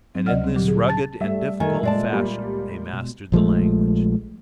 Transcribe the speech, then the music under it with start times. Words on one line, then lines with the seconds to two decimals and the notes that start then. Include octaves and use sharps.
And in this rugged and difficult fashion they mastered the language.
0.15 F#3 C4
0.26 D2 C3 D5 D#5 F#5 F6
0.42 G3 C4
0.56 A#2 D3 F#3 G4
0.68 G#4
0.88 A5 A6
1.21 G3 A3 E5
1.60 D#3 A3 G#5
1.83 A#2 G#3 D5 A5
2.13 G3 A#3
2.93 B2
3.32 A#1 F3 G#3 A3